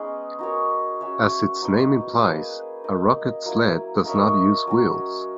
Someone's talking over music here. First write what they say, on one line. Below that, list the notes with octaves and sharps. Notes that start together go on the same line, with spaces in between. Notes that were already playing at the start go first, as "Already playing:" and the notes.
As its name implies, a rocket sled does not use wheels.
Already playing: G#3 B3 C#4 D#4 G#4
D#4 F#4 A#4 C#5
C#4 F#4 C#5 E5
F#3 B3 D#4
A#3 D#4 G#4 B4
D#4 A#4 D#5
F#3 A#3 E4
D#4 A#4 C#5 E5
F#3 C#4 F#4